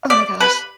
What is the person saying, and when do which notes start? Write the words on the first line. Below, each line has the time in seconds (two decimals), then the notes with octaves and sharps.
Oh my gosh.
0.10 D5
0.40 B4